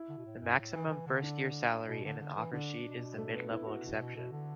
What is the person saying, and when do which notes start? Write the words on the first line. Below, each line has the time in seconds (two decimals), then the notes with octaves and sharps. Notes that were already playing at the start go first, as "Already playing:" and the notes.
The maximum first-year salary in an offer sheet is the mid-level exception.
Already playing: E4
0.09 D3
0.18 B2
0.26 A2
0.42 F#2
0.58 A2
0.74 E3
0.87 D3
0.91 E3
1.07 D3
1.23 D4
1.88 B2
2.04 D3
2.20 D3
2.36 E3
2.53 D3 D4
2.85 B2
3.18 A3
3.34 B3
3.51 E4
3.67 F#4
3.83 B2
3.99 B2
4.16 B2
4.32 D3